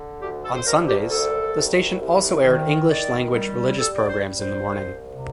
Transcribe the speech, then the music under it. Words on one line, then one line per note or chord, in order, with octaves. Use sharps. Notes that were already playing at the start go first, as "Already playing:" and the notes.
On Sundays, the station also aired English-language religious programs in the morning.
Already playing: D3
D2 G4
A4
C5
D2 A#4
G4
C2 A4
C2
C2
D#3
D#3 D5
G3
G3 A4
D5
C5
G3
C5
C2
C3